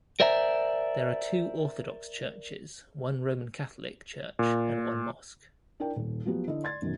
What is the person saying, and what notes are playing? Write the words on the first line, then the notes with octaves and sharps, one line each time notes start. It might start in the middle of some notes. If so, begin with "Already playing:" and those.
There are two Orthodox churches, one Roman Catholic church and one mosque.
A#4 C5 D5 E5 G#5 A#5
A#2
D4 E4 A#4 D5 G5
D#1
F3 F#3 B3 G4
D3 E4 D#5
D5 C6 G#6 A6
F#2 B2 D#3 F#3